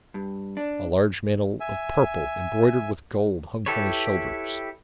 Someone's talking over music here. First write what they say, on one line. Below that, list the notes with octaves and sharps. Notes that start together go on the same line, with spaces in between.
A large mantle of purple embroidered with gold hung from his shoulders.
G2
D4
E5 G#5
E4 G4 A4 B4 C#5